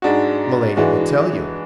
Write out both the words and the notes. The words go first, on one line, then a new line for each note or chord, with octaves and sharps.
"Milady will tell you."
G#2 G#3 D4 F#4
E3 G#3 D4 F#4